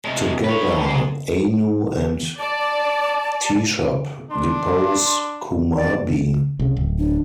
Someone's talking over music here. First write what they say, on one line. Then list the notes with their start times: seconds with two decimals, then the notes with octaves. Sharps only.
Together, Anu and Teshub depose Kumarbi.
0.05 C3 G#3
0.44 B4 C#5
0.85 G#4 C5
2.40 D5 A5
4.31 D4 C6
5.76 D5
6.59 C2 C#3
6.77 D1
6.99 D4